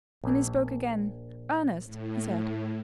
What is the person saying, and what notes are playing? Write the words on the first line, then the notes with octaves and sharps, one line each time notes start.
Then he spoke again: 'Ernest,' he said.
A#1
A2